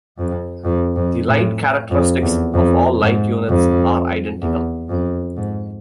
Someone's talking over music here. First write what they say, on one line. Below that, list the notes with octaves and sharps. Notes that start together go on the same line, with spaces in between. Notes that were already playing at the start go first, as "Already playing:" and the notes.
The light characteristics of all light units are identical.
F2
F2
F2
A2
F2
E2
F2
G#2
F2
E2
F2
G#2